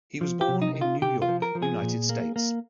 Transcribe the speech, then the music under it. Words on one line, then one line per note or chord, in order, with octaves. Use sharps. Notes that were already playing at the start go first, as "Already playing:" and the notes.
He was born in New York, United States.
F3
G4
C3
D#4
D#4
F4
C3 G4
F4
F3
A#4
F3
G#4
A#2
A#3
A#3